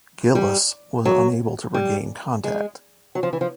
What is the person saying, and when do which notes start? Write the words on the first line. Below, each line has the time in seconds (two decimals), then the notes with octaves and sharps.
"Gillis" was unable to regain contact.
0.35 G3
1.05 F#3
1.74 G3
2.44 G#3
3.15 F#3
3.23 F3
3.33 E3
3.41 F3